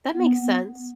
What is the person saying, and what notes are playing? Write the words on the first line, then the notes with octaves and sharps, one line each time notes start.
That makes sense.
B3